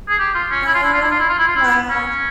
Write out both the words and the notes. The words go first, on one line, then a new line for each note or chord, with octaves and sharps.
Oh, wow.
G#4
G4
F4
C#4
E4
F4
E4
F4
E4
F4
E4
F4
E4
F4
E4
C#4